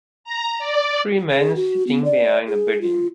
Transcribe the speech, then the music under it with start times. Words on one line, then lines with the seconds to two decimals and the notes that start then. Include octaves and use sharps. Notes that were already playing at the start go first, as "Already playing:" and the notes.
Three men sitting behind a building.
0.24 A#5
0.58 D5
1.31 G#4
1.56 F#4
1.87 B3
2.05 D5
2.47 G#4
2.81 F4